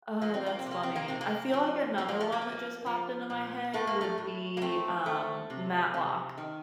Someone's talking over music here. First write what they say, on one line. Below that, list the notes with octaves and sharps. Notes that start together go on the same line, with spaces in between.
Oh, that's funny, I feel like another one that just popped into my head would be, um, Matlock.
F3 A#3
C4
A#3
C4
C3
A#3
C4
A#3
C3 C4
A#3
F3
F3 C4
A#3
A3
A#3
F3
F3
A#2
A2 A3
A#3
A3
A2
A#3
A3 C4
A3
C3
C3
D#3